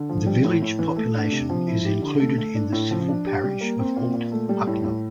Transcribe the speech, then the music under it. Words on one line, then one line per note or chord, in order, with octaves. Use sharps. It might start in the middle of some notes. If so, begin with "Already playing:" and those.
The village population is included in the civil parish of Ault Hucknall.
Already playing: D3
F3
G3
A2
A2
E3
A3
D4
C3
F3
E4
G4
D3
A3
A3
D4
A2
F3
D4
G4
G3
A#3
C4
A#2
A#2
A3
G3
A2
A2